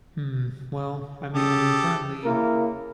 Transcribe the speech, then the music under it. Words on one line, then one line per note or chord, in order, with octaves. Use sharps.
Hmm, well, I mean I mean, currently,
C#3 G4 A4 D#6
C#3 A#3 E4 A#4